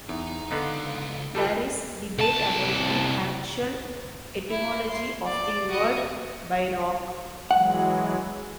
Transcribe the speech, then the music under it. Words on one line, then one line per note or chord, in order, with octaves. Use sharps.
There is debate about the actual etymology of the word "bierock".
E2 D#4
C#2 D3 B3 D#4 F5
G3 F4 A4 B4
C2 A5
E4
C6
D5
F#4 D#5
E3 F#3 G#3 F#5